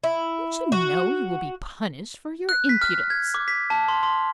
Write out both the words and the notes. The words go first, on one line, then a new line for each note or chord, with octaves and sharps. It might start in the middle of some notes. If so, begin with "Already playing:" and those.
Don't you know you will be punished for your impudence?
E4
F#4
F#6
B6
F6
G#6
D6
B6
A5
C6
C6